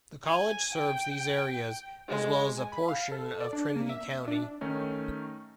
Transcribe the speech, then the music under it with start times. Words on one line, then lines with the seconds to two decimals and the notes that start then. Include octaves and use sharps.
The college serves these areas, as well as a portion of Trinity County.
0.24 G#5
0.74 G5
2.08 G#3
2.58 G#5
2.72 B5
2.89 F5
3.12 A4
3.40 D5
3.53 D4
3.76 A#3
3.89 E5
4.28 D4
4.61 D#3 A3 C#4 D#4